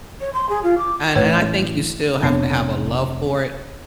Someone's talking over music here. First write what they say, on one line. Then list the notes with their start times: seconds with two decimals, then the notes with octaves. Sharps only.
and and I think you still have to have a love for it.
0.20 C#5
0.33 C6
0.49 G#4
0.63 F4
0.78 D6
1.15 A1 A3 B4 C#5
2.22 F1 B3 D4 C#5